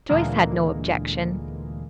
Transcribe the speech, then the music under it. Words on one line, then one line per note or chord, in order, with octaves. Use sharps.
Joyce had no objection.
D2 A#2 D3 E3 G#3 A#3